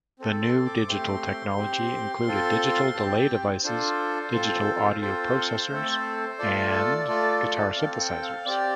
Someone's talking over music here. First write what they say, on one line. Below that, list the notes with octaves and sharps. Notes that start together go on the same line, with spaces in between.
The new digital technology included digital delay devices, digital audio processors, and guitar synthesizers.
C4 A4
C6
D6
A3 C4 G4 C6
C4 G4
C4 F4 A4
C4 G4 A5
G5
D4 F4 A4 C5
C4 F4 A4
C4 F4 A4 C5
A3 C4 A4
A3 F4 A4 D5
A3 F4 A4
C4 A4 F5
F5
G5
F5
C4 G4 D5